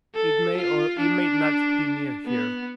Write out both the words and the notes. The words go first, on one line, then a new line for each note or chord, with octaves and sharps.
It may or it may not be near here.
A4
F4
D4
B3